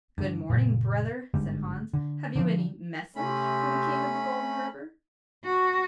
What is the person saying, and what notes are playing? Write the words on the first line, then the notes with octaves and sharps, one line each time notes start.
"Good morning, brother," said Hans; "have you any message for the King of the Golden River?"
G2 D3
F#1 A#2 A#3
G1 G#2 D3 G3
D3
D3 D#3 F3
C3 A3 C#4 B5
F#4